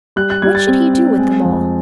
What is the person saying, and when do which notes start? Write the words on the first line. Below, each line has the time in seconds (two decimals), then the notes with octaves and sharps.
What should he do with them all?
0.16 G3 F#6
0.30 F#6
0.42 G3 G#6
0.55 A6
0.68 C4
0.93 C4
1.18 G#3
1.44 F2